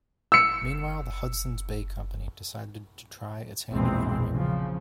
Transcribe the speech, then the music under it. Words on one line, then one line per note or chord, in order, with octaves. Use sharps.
Meanwhile, the Hudson's Bay Company decided to try its hand at farming.
E6 C#7
A#1 E2 B2 E3 G#3 C4
C#3 F3